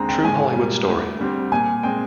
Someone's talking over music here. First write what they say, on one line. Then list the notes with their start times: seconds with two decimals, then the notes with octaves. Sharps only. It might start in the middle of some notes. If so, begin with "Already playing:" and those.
True Hollywood Story.
Already playing: D#2 D3 G#3 C4 A#5
0.09 G5
0.24 G#2 G#5
0.56 G3 A#3
0.88 D2
1.20 D3 G3 C4
1.52 A#2 G#5
1.83 G#3 C4 G5